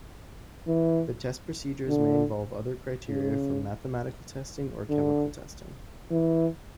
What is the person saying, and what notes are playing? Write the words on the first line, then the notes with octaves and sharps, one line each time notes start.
The test procedures may involve other criteria from mathematical testing or chemical testing.
E3
D3
C#3
D3
E3